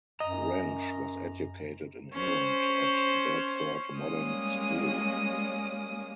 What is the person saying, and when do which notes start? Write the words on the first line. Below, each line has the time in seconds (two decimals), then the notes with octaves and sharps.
Wrench was educated in England at Bedford Modern School.
0.20 F#2 D#5 A#5
2.14 C#4 C5
3.97 G3 G#3 A#3 C#4 D#6